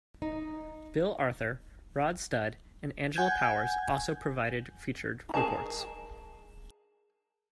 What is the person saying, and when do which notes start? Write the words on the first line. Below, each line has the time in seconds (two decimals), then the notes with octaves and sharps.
Bill Arthur, Rod Studd and Angela Powers also provided featured reports.
0.22 D#4
3.16 F#5 G#5 G6 G#6
5.34 G#4 A#4 A5 A#5